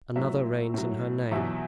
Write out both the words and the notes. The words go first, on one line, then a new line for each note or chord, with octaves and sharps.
Another reigns in her name.
A2 F#3 E5
A2 F#3
E2 B2 F#3 E5